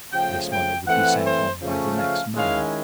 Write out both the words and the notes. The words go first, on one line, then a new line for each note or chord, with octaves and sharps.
This money would be sent on by the next mail.
C#3 F3 A3 G5
G5
E3 A3 C4 F#5
C5
C#3 F3 A3 C#4
F5
D#3 G#3 C#4 E4 F5